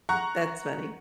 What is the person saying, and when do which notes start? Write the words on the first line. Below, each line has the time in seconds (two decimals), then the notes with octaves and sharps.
That's funny.
0.09 F#5 A#5 C#6 F#6